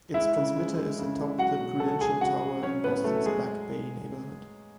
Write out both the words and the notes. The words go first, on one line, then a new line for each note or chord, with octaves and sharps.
Its transmitter is atop the Prudential Tower in Boston's Back Bay neighborhood.
G#3 E4 E5
C#3
G#3
G#3
C#3
G#3
F#3 F#4 F#5
B2
F#3 A4 A5
G#3 G#4 G#5
C#3 F#4 F#5
G#3
F#3 C#4 C#5
A2 B3 B4
F#3 A3 A4
F#3 G#3 G#4